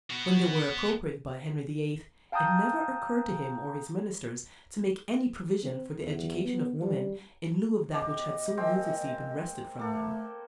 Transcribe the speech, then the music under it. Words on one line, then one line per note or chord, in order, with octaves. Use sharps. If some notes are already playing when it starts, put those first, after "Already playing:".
When they were appropriated by Henry VIII, it never occurred to him or his ministers to make any provision for the education of women in lieu of that which had so ruthlessly been wrested from them.
B3 F#4
F5 G5 A5 A#5 D#6 G6
C4
E2
B3
G3
B2 G4 D#5 D6
G#3 A#3 C4
A3 A#3 A4